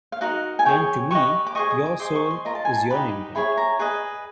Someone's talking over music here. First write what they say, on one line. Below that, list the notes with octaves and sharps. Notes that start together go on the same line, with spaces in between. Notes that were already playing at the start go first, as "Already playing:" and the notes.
And to me, your soul is your intent.
F5
D#4 F#4 A#4 F#5
G#5
G#4 C#5 G5
G4 B4 D#5 C#6
D6
G#4 C5 D#5 C#6
D#6
D6
G#4 C5 D#5 D6
C#6
C6
F4 A#4 D#5 A#5
A5
G#5
A5
D#4 G4 B4 B5
E4 G#4 C#5 B5
A#5
G#4 B4 D#5